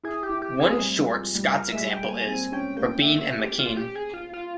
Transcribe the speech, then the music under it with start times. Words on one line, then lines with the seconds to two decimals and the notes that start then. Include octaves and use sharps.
One short Scots example is "Robene and Makyne".
0.04 E4 G#4
0.23 G4
0.29 E4
0.42 G4
0.54 C4
0.60 G#4
0.78 G3
0.97 G#3
1.15 F3
1.34 G3
1.52 A#4
1.72 G#3 E5
1.78 G3
1.91 G5
2.03 A#3
2.09 G#5
2.27 C4 G#5
2.52 C#4 G5
2.77 A#3 G5
3.02 E5
3.21 E5
3.40 G4
3.59 F4
3.77 G4
3.95 G#4
4.14 F4
4.33 F4